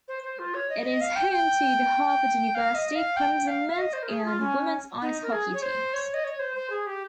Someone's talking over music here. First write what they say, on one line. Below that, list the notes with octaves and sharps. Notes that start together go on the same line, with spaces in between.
It is home to the Harvard University Crimson men's and women's ice hockey teams.
C5
C5
F4
C#5
D#5
D#5
F5
G5
G5
F5
D#5
F5
G5
F5
F5
D#5
C5
A#4
G#4
F4
C#4
D#4
A#4
G#4
C#5
C5
C#5
D#5
C#5
C5
C5
G#4
G4